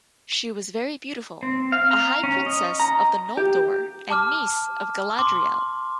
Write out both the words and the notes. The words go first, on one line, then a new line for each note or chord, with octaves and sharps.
She was very beautiful, a high princess of the Noldor and niece of Galadriel.
C4
F5
A#5
C#4
D#5
A#5
G4
A5 D6 F6
C6 D6